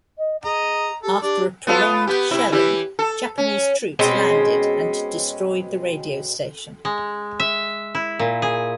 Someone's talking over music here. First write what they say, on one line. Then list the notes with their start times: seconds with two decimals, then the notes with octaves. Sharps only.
After a prolonged shelling, Japanese troops landed and destroyed the radio station.
0.18 D#5
0.44 G#4 D#5 A#5
1.03 G4 A4
1.22 D4 G4
1.67 B3 F4 A4
2.07 B3 G4
2.31 C3 E4
2.52 E3 E4 G4
2.99 A4
3.38 C#4
3.99 B2 G#3 C4 C#4
6.85 G#3
7.40 E5
7.95 E4
8.19 A#2
8.42 G#4